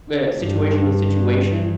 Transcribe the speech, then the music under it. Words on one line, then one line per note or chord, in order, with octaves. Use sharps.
the situation to situation.
G2